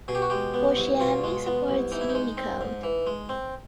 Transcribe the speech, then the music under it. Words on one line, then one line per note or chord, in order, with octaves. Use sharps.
Boshiamy supports Unicode.
B2 G#4
G4
F#4
G#3 G4
B3
C2
B2 F4
G#3
B3
C2
E3 D#4
E4
D#4
G#3
C4
G#2
E3
G#3
C4